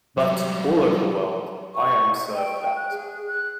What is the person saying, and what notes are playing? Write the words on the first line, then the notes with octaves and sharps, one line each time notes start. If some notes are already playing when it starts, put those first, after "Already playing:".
But, all over the world, I am served that.
F#3 G3
C#6
G5
F#6
G#4
F#6